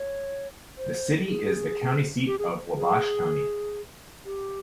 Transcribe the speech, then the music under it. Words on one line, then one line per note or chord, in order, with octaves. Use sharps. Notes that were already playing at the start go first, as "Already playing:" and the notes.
The city is the county seat of Wabash County.
Already playing: C#5
C5
G#4
G4
G#4
G#4
G4